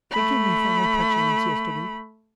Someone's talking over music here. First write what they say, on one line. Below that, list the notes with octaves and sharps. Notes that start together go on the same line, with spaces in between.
Forgive me for my petulance yesterday!
A3 B5